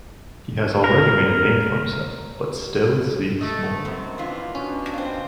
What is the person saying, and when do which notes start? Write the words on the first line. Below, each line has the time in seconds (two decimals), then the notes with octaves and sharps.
He has already made a name for himself but still seeks more.
0.84 A#4
3.41 A3 D#5
3.85 F#2 D#3 C4
4.18 E3 B3 D4 F4
4.55 B2 C#4 D4 F#4
4.94 C4 F4